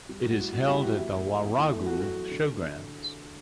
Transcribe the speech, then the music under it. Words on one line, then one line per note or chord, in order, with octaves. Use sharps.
It is held at the Warragul showgrounds.
G3
G3
F#4
A2
G3 F#4
G3 E4 G4
E2 F#4
A2 E4
A2
A3
E2
E2
A3
A3 F#4
F#3 F#4
F#3
D3